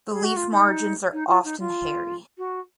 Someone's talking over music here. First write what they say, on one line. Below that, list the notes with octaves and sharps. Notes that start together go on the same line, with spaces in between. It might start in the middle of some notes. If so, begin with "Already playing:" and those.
The leaf margins are often hairy.
G#4
F#4
F4
F4
D#4
D#4
F4
D#4
F4
F#4